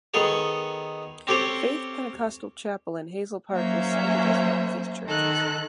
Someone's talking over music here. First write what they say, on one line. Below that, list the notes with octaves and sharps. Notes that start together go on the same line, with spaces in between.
Faith Pentecostal chapel in Hazel Park was cited as one of these churches.
D#3 B3 G#4 A4 C#5
C4 C#4 G4 A4 C5 C#5
F#3 A#3 C#4 C5 E5
D#3 A4 F#6